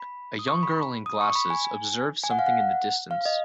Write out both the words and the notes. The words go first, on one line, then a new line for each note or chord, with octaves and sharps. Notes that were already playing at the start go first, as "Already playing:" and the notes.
A young girl in glasses observes something in the distance.
Already playing: B5
D#6
C#6
B5
D#6
C#6
B5
G#5
G#5
G#5
F#5
F5
F#5
F5
D#5